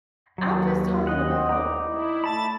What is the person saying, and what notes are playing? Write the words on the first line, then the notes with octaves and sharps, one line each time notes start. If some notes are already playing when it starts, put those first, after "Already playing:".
I'm just talking about
D#2 F#3
D#5 F#5
D#4 D5
E4
A3 A5 B5 A6